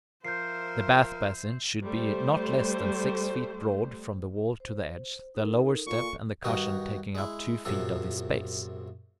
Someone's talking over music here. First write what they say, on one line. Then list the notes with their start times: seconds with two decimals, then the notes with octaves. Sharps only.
The bath basin should be not less than six feet broad from the wall to the edge, the lower step and the "cushion" taking up two feet of this space.
0.25 F3 A#4 C5 E5 G6 C7
1.85 G3 A3 C5
4.60 C5
5.35 D#4 A4 A#4
5.87 A#2 A4 C#6
6.44 G2 D#3 D#4 F#4
7.15 G#3 E4
7.65 A#1 F#2 C3 F3 A4